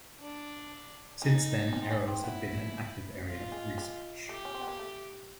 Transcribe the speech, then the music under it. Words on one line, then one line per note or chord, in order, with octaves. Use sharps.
Since then, arrows have been an active area of research.
D4
C#4 D#4
C#4
C4
C#4
C4
B3 E4
F4
G#3
G#3
A3 G4
C#4
C4
B3
A#3
A3